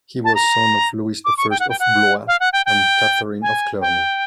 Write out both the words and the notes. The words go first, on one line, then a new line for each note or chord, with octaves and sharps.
He was son of Louis the First of Blois and Catherine of Clermont.
A5
A#5
D6
C#6
G5
F#5
G5
F#5
F5
F#5
G5
G5
G#5
G5